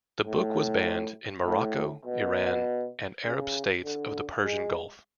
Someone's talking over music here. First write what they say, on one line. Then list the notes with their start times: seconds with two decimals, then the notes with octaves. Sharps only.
The book was banned in Morocco, Iran, and Arab states of the Persian Gulf.
0.27 A2
1.46 A2
2.05 B2
3.24 C#3
3.84 D3
4.43 G#3